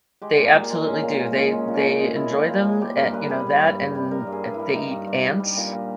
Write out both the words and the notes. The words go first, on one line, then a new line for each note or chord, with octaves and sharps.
They absolutely do, they they enjoy them a you know, that and, eh, they eat ants,
G#3 G4
A#2
A#4
A#2 G#4
G#3
G#3 C#4
A#2
A#2
G#3
G#3 C#4
A#2
C#4
A#2
G#3 D#4
G#3 E4
A#2
A#2
G#3
G3 G4
G2 A#4
G2 B4
G3 G#4
G3
G2
G2
G3
G3 A#4
G2
G#4
G2
E4
G3
E4
G3 D#4
G2
G2
G3
G3
A#2
A#2